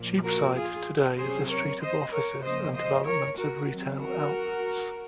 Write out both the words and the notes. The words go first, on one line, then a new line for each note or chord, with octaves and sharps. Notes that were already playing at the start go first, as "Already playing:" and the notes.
Cheapside today is a street of offices and developments of retail outlets.
Already playing: A#2 F3 A#3
F#4 A#4
F4 G#4
C3 F#3 C#4 G#4 C5
A#4 C#5
C5 D#5
A#4 C#5
C#3 F3 A#3 C5 D#5
C5 D#5
A#4 C#5
F#4 A#4
D#3 F#3 C4
F#4 A#4